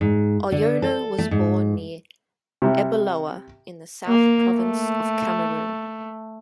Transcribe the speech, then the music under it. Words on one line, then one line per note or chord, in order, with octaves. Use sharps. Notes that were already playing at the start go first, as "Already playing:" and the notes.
Oyono was born near Ebolowa in the South Province of Cameroon.
G#2
D3
A4
A3
G#2
C3 G3
A#3
A3